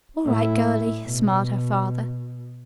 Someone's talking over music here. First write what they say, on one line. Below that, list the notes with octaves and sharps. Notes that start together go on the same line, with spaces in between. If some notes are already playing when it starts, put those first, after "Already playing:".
"All right, girlie," smiled her father.
A2 E4
B2